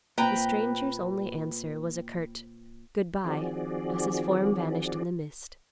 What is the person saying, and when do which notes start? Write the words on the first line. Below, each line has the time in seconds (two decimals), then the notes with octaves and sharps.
The stranger's only answer was a curt "Good-by," as his form vanished in the mist.
0.18 A#2 C4 B4 G5 A#5
3.25 D#3 F3 C4 F#4 G#4 D5